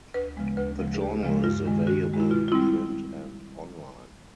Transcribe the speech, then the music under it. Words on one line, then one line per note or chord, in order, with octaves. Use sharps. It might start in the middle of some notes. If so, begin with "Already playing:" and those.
The journal is available in print and online.
D2 B4
C#3 F3 G#3 B3
D2 B4
C#3 F3 G#3
G#4
D2 G4
C#3 F3 G#3
G2 F4
D#3 G#3
G2 F#4
D#3 G#3
E4
B2 F4
F4
G3 C4 E4